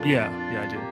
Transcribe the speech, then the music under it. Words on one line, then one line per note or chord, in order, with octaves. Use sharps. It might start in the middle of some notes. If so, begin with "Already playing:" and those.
Yeah, yeah, I do.
Already playing: F2 A#2 D4 F4 D5
D4 F4 D5
A#3 G4